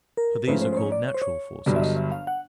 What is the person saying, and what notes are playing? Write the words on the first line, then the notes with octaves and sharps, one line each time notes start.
For these are called "natural" forces.
A#4
G#2 F3 A3 C#4 B4
C5
C5
C#5
D5
C#5
C5
C#5
G1 G2 D3 F#3 D5
E5
D#5
E5
F5
F#5